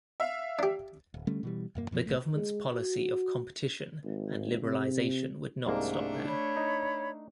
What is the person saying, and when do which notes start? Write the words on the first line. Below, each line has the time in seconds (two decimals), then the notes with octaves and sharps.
The government's policy of competition and liberalization would not to stop there.
0.20 E5 F5
0.59 D4 G4
1.14 D1
1.27 D3 G3 A3 C#4
1.43 B2 E3 G3
1.75 E1 F#2 A#3
1.91 F#2 B2 F3 B3
2.06 B1 A2 A3
2.35 G#3
2.74 F#4
4.04 G#1
4.64 C3
5.66 C2 G#2 A3 A#3 D4
6.27 C#5 B5
6.57 D#4